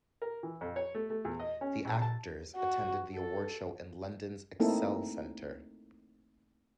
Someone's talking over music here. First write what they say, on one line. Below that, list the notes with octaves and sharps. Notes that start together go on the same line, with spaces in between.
The actors attended the award show in London's excel centre.
A#4
E3
F2
C#5
A3
A3
E2
D#5
C#4
A#1
A5
F#4
A4
A3 A#3 C4 D#4 E4 A4